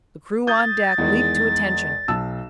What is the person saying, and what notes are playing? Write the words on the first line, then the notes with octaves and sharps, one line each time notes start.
The crew on deck leaped to attention.
D#6 G6 A6
E2 D#3 G#3
B1 A5 E6